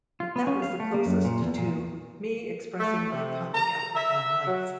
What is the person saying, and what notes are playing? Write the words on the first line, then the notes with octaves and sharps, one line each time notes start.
But that was the closest to me expressing my comic outlook on life.
F4
B3
C#4
F5
A3
A#3
F#2
A#2
E2
A#2
A3
C3
A#5
E5
F#3